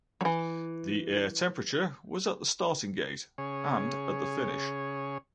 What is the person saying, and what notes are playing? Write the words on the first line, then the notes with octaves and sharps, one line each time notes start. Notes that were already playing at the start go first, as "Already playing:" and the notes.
The air temperature was at the starting gate and at the finish.
E3 F#3
C#3 G#4 C#5